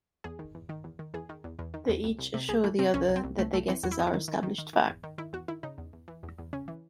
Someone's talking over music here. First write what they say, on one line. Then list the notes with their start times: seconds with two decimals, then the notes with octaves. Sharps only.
They each assure the other that their guesses are established fact.
0.24 E2 G#4
0.39 D#3
0.55 E2
0.69 D#3
0.84 E2
0.99 D#3
1.14 E2 G#4
1.29 D#3
1.44 E2
1.59 E2
1.74 D#3
1.89 E2
2.04 C2
2.19 C2
2.34 C3
2.49 C2 G#4
2.64 E3 A3
2.79 C3 C4
2.94 C2 C#4
3.08 C2
3.16 C4
3.24 C2
3.38 C2 A3
3.53 C2 A3
3.68 E3 C4
3.83 E2 F#4
3.91 E4
3.98 E2 D#4
4.07 E4
4.13 D#3
4.28 D#3
4.43 D#3
4.58 D#3
4.73 D#3
4.88 E2
5.03 D#3
5.18 D#3 E4
5.33 E2 F#4
5.48 D#3 E4
5.63 C#3 D#4
5.78 E2
5.93 E2
6.08 E3
6.23 E2
6.39 E2
6.53 C#3 C#4
6.68 E3